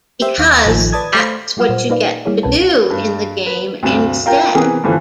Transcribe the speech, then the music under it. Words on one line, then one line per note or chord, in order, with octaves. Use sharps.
Because that's what you get to do in the game instead.
G4 C5 E5
D#2 F5 D6 A#6
A1 D#3 F3 A4 G#5
B4 D5 A5 D#6 G#6
A3 C5 F5
F#3 G3 F4 F#5 F6 E7
A#2 C5
A#3 D#4 B4 D5 F5
G3 A#3 E4 G#4 C#5
C2 B2 C4 C#4 B4 A5
G2
B4
D2 G2 C3 E7 F#7
F4 A#4 G5
C3 E3 B3 G#4 A#4
G2 B2 D3 E3 F3